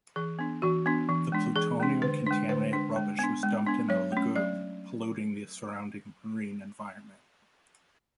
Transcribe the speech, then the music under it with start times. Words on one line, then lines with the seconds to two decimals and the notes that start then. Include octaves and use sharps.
The plutonium-contaminated rubbish was dumped in the lagoon, polluting the surrounding marine environment.
0.16 E3 G#4
0.39 B3 D4
0.62 E3 F#4
0.86 B3 D4
1.09 E3
1.32 G#3 D4
1.56 E3 G#4
1.80 G#3 D4
2.02 D3 B4
2.26 G#3 D4
2.49 D3 B4
2.73 G#3 D4
2.96 G#3
3.19 B3 D4
3.43 G#3
3.66 B3 D4
3.89 F#3 C#5
4.12 A3 C#4
4.35 F#3 D5